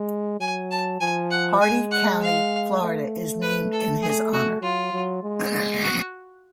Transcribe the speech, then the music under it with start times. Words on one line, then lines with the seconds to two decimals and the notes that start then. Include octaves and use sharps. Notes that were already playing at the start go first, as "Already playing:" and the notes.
Hardee County, Florida is named in his honor.
Already playing: G#3
0.40 F#3 G#5
0.71 A5
1.01 F3 G#5
1.31 F#5
1.61 G#3 G#5
1.91 F#5
2.21 F5
2.81 A3
3.42 B4
3.73 A4
4.02 G#4
4.33 F#4
4.62 F#3 F4
4.93 F#3
5.23 G#3
5.83 F#4